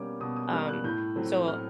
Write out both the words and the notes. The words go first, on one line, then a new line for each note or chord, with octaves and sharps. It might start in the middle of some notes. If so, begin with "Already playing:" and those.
Um, so I
Already playing: B2 G3 A#3 C#4 D6
B2 D#6
D#6
G3 A#3 C#4 F6
F#6
A2 G6
F#3 A3 C4
A2 F6